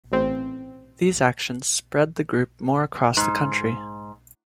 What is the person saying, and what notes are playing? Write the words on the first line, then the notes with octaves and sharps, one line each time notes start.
These actions spread the group more across the country.
A1 C4
G#2